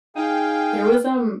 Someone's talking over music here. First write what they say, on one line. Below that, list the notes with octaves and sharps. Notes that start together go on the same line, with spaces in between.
There was, um
D#4 G#4 F5 G5